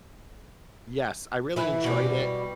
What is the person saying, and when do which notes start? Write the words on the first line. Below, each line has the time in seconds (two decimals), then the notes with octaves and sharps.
Yes, I really enjoyed it.
1.56 E3 E4
1.84 B2 G3